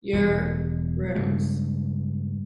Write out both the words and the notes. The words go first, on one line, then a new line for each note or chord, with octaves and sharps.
Your rooms.
E1 G3
G2 C#3 G#3